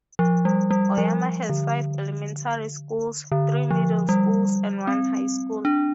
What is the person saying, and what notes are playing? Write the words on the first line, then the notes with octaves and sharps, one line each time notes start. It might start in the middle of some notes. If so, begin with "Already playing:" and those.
Oyama has five elementary schools, three middle schools and one high school.
F3
G3
G3
F3
D3
D3
F3
G3
C4
D4